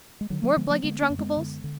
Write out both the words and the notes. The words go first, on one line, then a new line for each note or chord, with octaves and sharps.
More bluggy drunkables?
G#3
D3 D#3 F#3
F#3 A#3
D3 F3 G#3
F#3 A#3
D3 G#3 B3
A#3 D4
F#2
G#3 B3
D3
D3